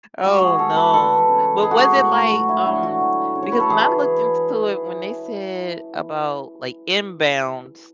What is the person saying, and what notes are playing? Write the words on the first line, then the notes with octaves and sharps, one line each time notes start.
Oh, no. But, was it, like, um, because when I looked int to it, when they said about, like, inbounds,
G#3 F#4
G#4
B2 A4
B4
E3 A4
C#3
G#3 G#4
F#4
G#4
A2
F#3 F#4
E4
D3 E4
F#4
F#3
C#3
C#5
B4
A4
E3 G#4